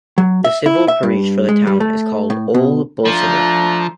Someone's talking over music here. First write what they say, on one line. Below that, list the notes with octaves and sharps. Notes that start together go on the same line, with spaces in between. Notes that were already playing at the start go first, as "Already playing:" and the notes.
The civil parish for the town is called Old Bolsover.
F#3
E5
E4
E5
G2
G#3
G3
A3
A2
B2
F3 A3 D4 A#5